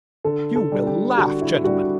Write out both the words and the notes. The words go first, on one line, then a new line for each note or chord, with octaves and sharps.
You will laugh, gentlemen.
D3 A4
A4
G3 D4
G4
D3 F#4
E4
G3 D4 F#4